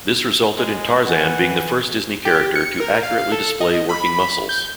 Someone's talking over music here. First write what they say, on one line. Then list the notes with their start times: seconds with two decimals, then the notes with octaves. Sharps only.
This resulted in Tarzan being the first Disney character to accurately display working muscles.
0.57 G#3
1.06 E3 F#5
2.25 G4
2.56 C#7
2.80 A#4
3.03 F5
3.32 A4
3.61 D#5
3.89 B5
4.49 G6